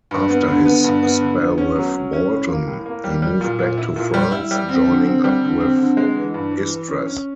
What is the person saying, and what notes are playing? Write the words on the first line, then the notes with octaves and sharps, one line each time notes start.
After his spell with Bolton, he moved back to France, joining up with Istres.
G2
B3
D3
B3
G2
B3
D3
B3
C#4
F#3
C#4
C#4
A2
A#3
A2
A#3
G3
G3
A#2
A#2
E4
A#2
G3
E4
G3
C4
D3
C4
G3
D3
C4
D3
G#3
E3
G2
E3
E3
C#4
C#4